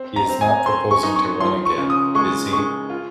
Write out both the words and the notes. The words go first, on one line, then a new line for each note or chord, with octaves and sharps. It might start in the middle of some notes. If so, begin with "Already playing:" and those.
He is not proposing to run again, is he?
Already playing: C4
A#5
C4
G#5
C4 C6
C#6
D#4
C#6
F3 C6
C#6
C#3
D#6
G#3 C#6
G#3 C#6
F4